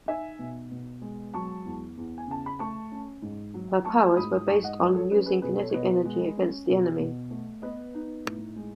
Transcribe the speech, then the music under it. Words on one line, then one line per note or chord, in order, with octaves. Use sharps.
Her powers were based on using kinetic energy against the enemy.
D#4 E5 G#5
B2
B2
G#3
F#3 A5 C#6
E2
E2
G#5
C#3 A5
B5
A3 A5 C#6
C#4
G#2
F#3
A3 A5 C#6
G#2 B5 D#6
G#2 A5 C#6
D#5 F#5
F#3 B4 D#5
A4 C#5
C#4 G#4 B4
G#4 B4
B2 G#4 B4
A4 C#5
C#5
B2 B4 D#5
G#3
C#4
B2
B2
A3
B3 B4 D#5
D#4
A2
G#3